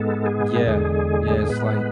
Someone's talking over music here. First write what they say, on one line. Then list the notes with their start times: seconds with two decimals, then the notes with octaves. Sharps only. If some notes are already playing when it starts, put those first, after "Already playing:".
Yeah, yeah, it's like
Already playing: G#2 G#3 B3 A4
0.26 G#4
0.67 E2 D3 G#3 G#4
1.49 A2 G#3 B3 B4